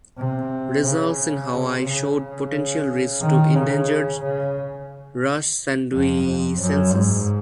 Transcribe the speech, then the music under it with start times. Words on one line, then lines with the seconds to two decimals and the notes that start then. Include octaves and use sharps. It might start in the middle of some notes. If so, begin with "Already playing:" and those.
Results in Hawaii showed potential risk to endangered "Rhus sandwicensis".
0.18 C3
0.85 C#3
1.53 C3
1.87 C#3
3.21 D#3
3.55 C#3
4.23 C#3
5.93 F2
6.60 F#2
6.94 G#2